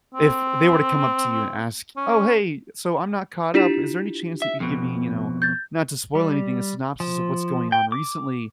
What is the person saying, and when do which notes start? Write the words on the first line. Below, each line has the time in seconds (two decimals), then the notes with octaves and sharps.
if they were to come up to you and ask, "Oh, hey, so I'm not caught up, is there any chance that you give me, you know- not to spoil anything- a synopsis of what's going on recently?"
0.14 C4
1.97 C#4
3.54 D4 E4 F4 G4 B6 E7
4.42 E5
4.60 F2 B2
5.42 G6 A6
6.15 G3
7.00 F3
7.72 G5
7.92 D6